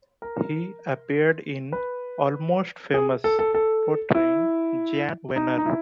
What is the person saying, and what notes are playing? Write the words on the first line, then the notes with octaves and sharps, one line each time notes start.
He appeared in "Almost Famous", portraying Jann Wenner.
A#4
B4
G#4
A4
A4
A4
E4
D#4
D#4
E4